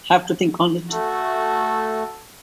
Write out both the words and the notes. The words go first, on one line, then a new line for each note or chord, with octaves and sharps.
Have to think on it.
A3 F#4 A4